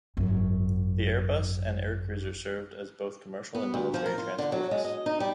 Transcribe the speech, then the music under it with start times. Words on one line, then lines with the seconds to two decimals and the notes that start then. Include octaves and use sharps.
The Airbus and Aircruiser served as both commercial and military transports.
0.17 G#1 F#2
3.55 B3
3.74 D2
3.94 F3
4.06 A#4
4.18 F4
4.39 D3
4.52 F#3
4.71 G#3
4.85 D#5
5.06 D#4
5.20 G3